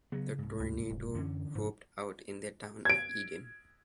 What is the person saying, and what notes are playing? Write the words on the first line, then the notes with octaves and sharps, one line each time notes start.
The tornado roped out in the town of Eden.
C#3 F#3 B3
C2 G#2
D2
E1
F#2 D3 E3 C#4
F1 G#2
G#6 D7